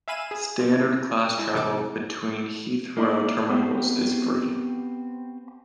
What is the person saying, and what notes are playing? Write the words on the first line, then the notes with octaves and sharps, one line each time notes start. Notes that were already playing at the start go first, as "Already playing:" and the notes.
Standard class travel between Heathrow terminals is free.
E5 F5 G#5 B5 D#7 E7
G#4
F3
E4
G#3 E4
E2 C3 A3 D#4 A4 D6
A#3 D#4 E4 A#4 D5
B3 C4 F#4 G4